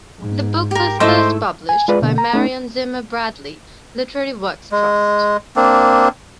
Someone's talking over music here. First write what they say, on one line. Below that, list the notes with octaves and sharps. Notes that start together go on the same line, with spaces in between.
The book was first published by Marion Zimmer Bradley Literary Works Trust.
G#2
G4 A#4
G#2 A3 E4 C5 D#5 C6 D6
G#5
G#3 F4 G#4 B4 D5
B2 D3 A#3
A#5
A3 C#4 D#4
G#3
A#3 C4 D4